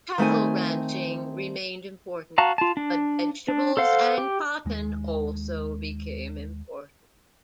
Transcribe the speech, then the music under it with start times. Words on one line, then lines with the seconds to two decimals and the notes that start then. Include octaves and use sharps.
Cattle ranching remained important, but vegetables and cotton also became important.
0.18 D#3 A3 C4 G#5
2.38 F#4 F5 A5 A#5
2.58 F4 A5
2.77 D4
3.48 D4
3.77 A4 C5 F5 F#5
4.18 G4
4.65 D#2 G#3